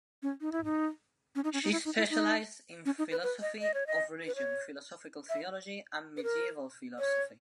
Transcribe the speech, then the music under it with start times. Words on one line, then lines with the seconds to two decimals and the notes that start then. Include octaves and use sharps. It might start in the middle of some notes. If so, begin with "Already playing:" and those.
She specialised in philosophy of religion, philosophical theology and medieval philosophy.
0.23 C#4
0.41 D#4
0.52 E4
0.64 D#4
1.35 C#4
1.44 D#4
1.53 C#4
1.63 D#4
1.72 E4
1.85 D#4
1.97 E4
2.10 D#4
2.85 C#4
2.98 D#4
3.11 B4
3.23 B4
3.42 D#5
3.61 D#5
3.74 C#5
3.87 D#5
4.27 B4
4.36 C#5
5.29 E5
6.17 B4
6.23 A#4
6.99 C#5